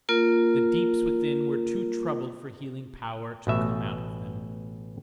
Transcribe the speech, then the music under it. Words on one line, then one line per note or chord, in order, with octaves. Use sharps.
The deeps within were too troubled for healing power to come out of them.
A#3 F4 A#4
A1 B2 E5